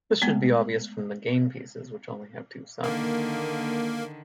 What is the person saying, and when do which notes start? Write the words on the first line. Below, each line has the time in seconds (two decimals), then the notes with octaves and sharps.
This should be obvious from the game pieces, which only have two sides.
0.22 G#3 A3 B3
2.84 D3 D#3 A#3